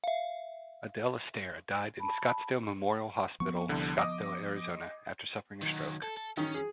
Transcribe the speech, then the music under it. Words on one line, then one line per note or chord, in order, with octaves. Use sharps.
Adele Astaire died in Scottsdale Memorial Hospital, Scottsdale, Arizona, after suffering a stroke.
E5 F5
A5 B5
F3 B3 C#6
C2 D3
D#5 D6 D#6
D#3 F#3
A4
A4
D#3 C#4
G#4